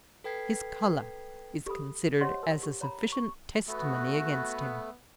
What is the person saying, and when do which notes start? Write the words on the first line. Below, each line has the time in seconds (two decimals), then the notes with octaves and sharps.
His colour is considered as a sufficient testimony against him.
0.24 A4 B4 G5 G#6 B6 C7
1.66 G4 A4 B5 D#6
2.21 G4 C5 C#5 D#5 F#5 C6
2.43 A#4 A5 E6
2.63 G4
2.81 C#5 A#5 B5
3.12 C#6
3.68 A3 B3 F#4